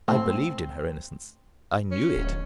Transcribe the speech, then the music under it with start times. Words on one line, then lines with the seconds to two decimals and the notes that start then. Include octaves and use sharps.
I believed in her innocence; I knew it.
0.08 A2 C4
1.91 C#4
2.16 D1